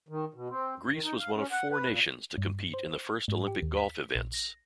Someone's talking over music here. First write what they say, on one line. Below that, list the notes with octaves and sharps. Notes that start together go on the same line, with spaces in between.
Greece was one of four nations to compete in the first Olympic golf events.
D#3
B2
C4
F#2
D#3
D#4
F5
C#4
F#5
B4
A#2
G2
C5
G#2
G4
D#2
B6
A#1
A#6